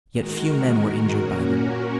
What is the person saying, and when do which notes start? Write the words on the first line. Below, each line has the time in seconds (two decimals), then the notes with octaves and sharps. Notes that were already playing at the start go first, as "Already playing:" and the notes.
Yet few men were injured by them.
0.12 D#3 G#3 F#4 A#4
1.14 A#2 A#3 C#4 F#4 A#4